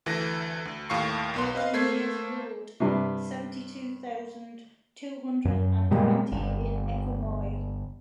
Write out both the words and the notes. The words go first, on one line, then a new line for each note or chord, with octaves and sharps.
Guérinières road, seventy-two thousand two hundred and twenty in Écommoy.
D2 E3 A4 A#6
D2
D#2 A2 F5 C#6 C7
B1 B3 C6
B4 D#5 F5
A3 A#3 C5 G#6 C7
G2 C3
F#2
A#2 G3 G#3 A#3
G1